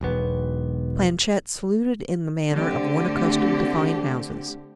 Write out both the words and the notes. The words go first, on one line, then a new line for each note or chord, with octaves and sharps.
Planchet saluted in the manner of one accustomed to fine houses.
E1 B1 B3
D3 A3 C4 G4